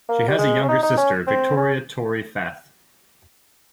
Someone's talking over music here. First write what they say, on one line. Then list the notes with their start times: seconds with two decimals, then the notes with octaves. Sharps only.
She has a younger sister, Victoria "Tori" Fath.
0.09 A#3
0.28 G3
0.38 G#3
0.63 C#4
0.69 D#4
0.83 D#4
0.97 C#4
1.27 C4
1.57 C#4